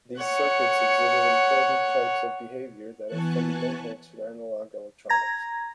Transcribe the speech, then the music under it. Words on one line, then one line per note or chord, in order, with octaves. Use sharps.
These circuits exhibit important types of behaviour that are fundamental to analogue electronics.
C#5 F#5
E3 B3 G#5 A5 C#6 F#6
A#5 G#6 A#6